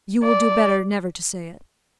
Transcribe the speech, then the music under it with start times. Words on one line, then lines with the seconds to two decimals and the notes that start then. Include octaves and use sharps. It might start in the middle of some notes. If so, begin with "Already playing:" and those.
"You will do better never to say it."
0.23 D5